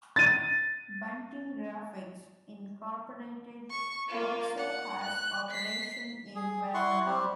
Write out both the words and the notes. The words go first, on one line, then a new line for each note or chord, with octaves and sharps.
Bunting Graphics, Incorporated also has operation in Verona.
A6 D#7
C#6
A#3 F4
F#5
F#6
B6 C7
G#4
E4 F#5 C6 C#6
G3 C4 G4